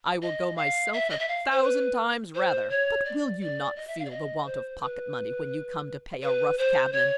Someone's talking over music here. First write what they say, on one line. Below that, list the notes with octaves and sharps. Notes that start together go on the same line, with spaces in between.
I will go myself a thousand times rather!--But will you not feel the want of pocket-money when you come to pay a rough cabman?
D#5
F5
E5
D#5
E5
F5
C5
B4
C5
C#5
D5
D5
D#5
E5
F5
D5
D#5
C5
B4
B4
C5
C#5